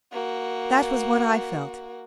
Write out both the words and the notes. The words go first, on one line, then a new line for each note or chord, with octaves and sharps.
That was what I felt.
A#3 F#4